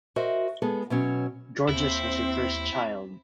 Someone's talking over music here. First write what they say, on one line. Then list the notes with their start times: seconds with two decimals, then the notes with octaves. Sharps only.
Georges was their first child.
0.16 F#4 A#4 C5 D#5 E5
0.62 G#3 B3 G#4 A4
0.90 B2 F#3 C#4
1.69 D#2 C4 E4